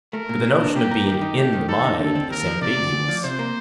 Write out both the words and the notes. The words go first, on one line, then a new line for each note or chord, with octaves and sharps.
But the notion of being 'in' the mind is ambiguous.
A3 A#4
A#2
A#2
D4
A#3 G4
A#4
D#3 G4
D#4
A3 G4
D#3
D#3 A4
D#4
D3 A4
C4
D#2 A#4
F3
C3 D5
D2
D2
F3
C3 C5
A#3